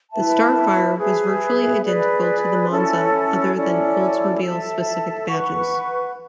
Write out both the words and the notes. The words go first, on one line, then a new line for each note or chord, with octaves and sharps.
The Starfire was virtually identical to the Monza other than Oldsmobile specific badges.
E4 B4 E5 A5
G#4 B4 E5
G#4 B4 D5
C#4 E4 A4
C#4 E4 A4 D5
A4 E5 A5
B4 F#5 C#6